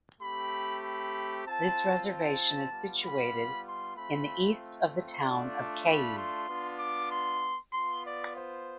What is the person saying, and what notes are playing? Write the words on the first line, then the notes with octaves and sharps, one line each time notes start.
This reservation is situated in the east of the town of Cayey.
A3 C4 G4 B5
B5
C4 F4 A5
A5
G3 B3 F4
B5
C6
A3 C4 F4 B5
A3 D4 F4 D5
B5
C6
B3 D4 F4
D6
C6
B3 F4 C6
D5
C5